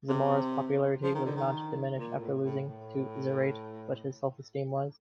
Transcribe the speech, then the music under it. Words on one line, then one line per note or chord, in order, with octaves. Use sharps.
Zamora's popularity was not diminished after losing to Zarate, but his self-esteem was.
C3
F3
D#3
D3
D#3
A#2
A2
A2
A2